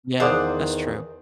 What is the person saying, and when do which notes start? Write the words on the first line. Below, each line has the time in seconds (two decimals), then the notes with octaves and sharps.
Yeah, that's true
0.20 E2 D#3 G#4 C5 D5 F5 F#5 D#6